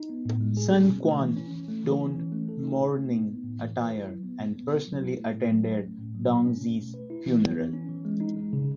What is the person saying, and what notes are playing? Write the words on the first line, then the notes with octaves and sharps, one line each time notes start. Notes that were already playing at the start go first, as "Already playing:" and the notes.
Sun Quan donned mourning attire and personally attended Dong Xi's funeral.
Already playing: D#4
B3
A2
G#3
G#4
C#4
B2
A3
E3
C#4
E3
A3
E3
C#4
E3
A3
A4
D#4
B2
A3
D#4
B3
A2
E3
B4
E4
F#3
B3
B2
B3
B2
F#3
E4
A3
A2
F#3
C#4
A3
A2
F#3
B2
C#4
B2
A3
B4
E4
E3
B3
E3
C#4
E3
G#3
D#4
G#3
C#3